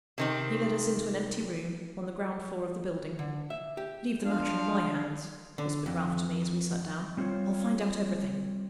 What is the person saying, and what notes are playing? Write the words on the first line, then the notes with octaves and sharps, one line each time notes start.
He led us into an empty room, on the ground-floor of the building. "Leave the matter in my hands," whispered Ralph to me, as we sat down. "I'll find out everything."
C3 D#3 C4
D3
E5
G4
F3 D4 F5
D3
F2
G3 C4 F4 C5 C#5